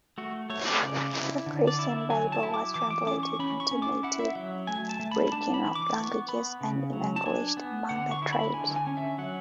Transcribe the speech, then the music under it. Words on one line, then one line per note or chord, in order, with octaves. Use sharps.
The Christian Bible was translated into native aboriginal languages and evangelised among the tribes.
A3 F#4
A3 C#5
D5
C#3 D5
E4
D3
D5
E4
E5
F#3 G#5
A5
E4
D6
E3 D6
D6
C#4 D6
C#6
C#4 B5
C#6
C#4
D6
E4 F#5
E5
F#3 E5
A3 G#5
A5
A3
B5
D4 A5
B5
E3
D6
B3 C#6
B3 B5
C#3
F#3
A5
D4 G#5
B3
D3 F#5
C#6
E4
B5
D3 G#5
G#5
C#4
E5
F#3 F#5